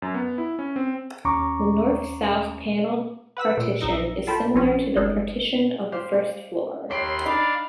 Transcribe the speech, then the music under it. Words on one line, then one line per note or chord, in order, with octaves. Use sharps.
The north-south paneled partition is similar to the partition of the first floor.
F#2
B3
E4
C#4
C4
D#2 C#4 A#5 C#6 D6
B4 F#5 E6 B6
A#2 D7
A#1 F#2 D#4 E6 A#6 C#7
F4 A4 G5 A5 B5
A#1 C4 C#4
G1 G#3 D#4 A4
G4 C5 F5
D#2 C#5 B5 C6 C7 D7
D4 D#4 D5 F5 B5